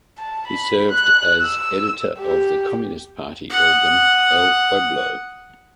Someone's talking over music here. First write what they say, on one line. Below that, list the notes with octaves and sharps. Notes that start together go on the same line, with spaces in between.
He served as editor of the Communist Party organ "El Pueblo".
A5
B5
F#6
E6
G4
F#5 D#6